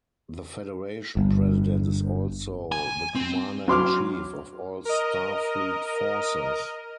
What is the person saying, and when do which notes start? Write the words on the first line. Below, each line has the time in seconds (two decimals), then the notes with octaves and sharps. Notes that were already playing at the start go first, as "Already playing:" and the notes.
The Federation President is also the commander-in-chief of all Starfleet forces.
1.17 G1
2.72 G#5
3.15 C4
3.68 F#3 C6 D6 F6
4.85 A#4 D#5